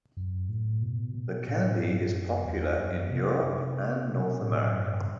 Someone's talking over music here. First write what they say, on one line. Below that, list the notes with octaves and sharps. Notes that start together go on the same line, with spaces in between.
The candy is popular in Europe and North America.
F#2
A2
B2
B2
A2
G2
F#2
E2
F#2
C3
B2
A2
G2